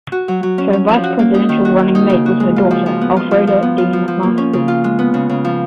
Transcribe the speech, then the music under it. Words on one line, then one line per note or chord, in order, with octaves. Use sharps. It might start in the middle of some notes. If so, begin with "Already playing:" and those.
Her vice-presidential running mate was her daughter, Alfreda Dean Masters.
F#4
F#3
F#3
C#4
C#4
F3
F#4
A#3
D#4
D#3
F#4
A#3
D#4
C#3
F#4
G#3
F4
F3
F3
B3
F4
F3
F3
B3
F4
F3
F3
A#3
C#4
C#3
F4
G#3
B3
C#3
C#3
F3